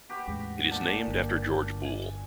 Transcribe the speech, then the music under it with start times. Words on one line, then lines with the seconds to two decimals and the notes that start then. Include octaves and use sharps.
It is named after George Boole.
0.09 F#4 G4 B4
0.28 A1 E2 G#3
0.71 A#2 D4 A5
1.08 G1
1.84 G#5